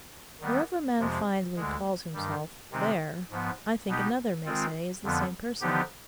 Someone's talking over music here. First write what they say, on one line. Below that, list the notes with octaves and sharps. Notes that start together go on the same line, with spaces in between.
Wherever a man finds what he calls himself, there, I think, another may say is the same person.
D#3 G3 B3
F2 C3 F3 G#3
D2 D3 G#3
G2 D#3 G3
C3 D#3 G#3 C4 D#4
G#2 F3 B3
B2 B3 D#4 G4
D#3 G#3 C4 F4
F2 D3 F3 B3
D3 F3 B3 D#4 G4